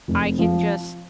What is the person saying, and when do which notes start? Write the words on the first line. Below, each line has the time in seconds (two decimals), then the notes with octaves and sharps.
I can just
0.08 F1
0.39 F3